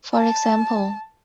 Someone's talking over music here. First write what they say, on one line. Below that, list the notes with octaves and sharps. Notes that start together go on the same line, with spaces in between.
For example.
A5